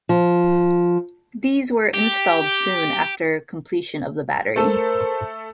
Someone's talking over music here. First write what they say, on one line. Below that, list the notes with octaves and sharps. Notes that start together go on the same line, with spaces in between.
These were installed soon after completion of the battery.
F3
G4
A3 A4 A#4 C5